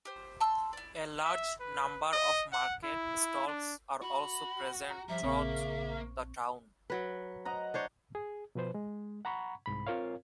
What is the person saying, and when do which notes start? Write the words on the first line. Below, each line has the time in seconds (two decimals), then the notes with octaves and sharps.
A large number of market stalls are also present throughout the town.
0.05 G4 C5
0.40 A5 C6 E6
0.73 E4 D5
1.24 E5
1.60 B4
2.12 D#5
2.53 F#5
2.83 E4
3.47 D4
4.02 F#4 B5
4.91 A#5
5.09 G2 F3 E5 A#5
5.23 A#1 C#3 A#3 C4 C#6
6.90 F#3 B4
7.45 D#5 F#5 A#5
7.74 D4 C5 C#5
8.15 G#4
8.55 B2 F3 B4 C5
8.74 G#3
9.25 F#5 A#5 B5 C#6
9.66 C2 G#2 B5
9.87 C4 F4 A#4 C#5 F5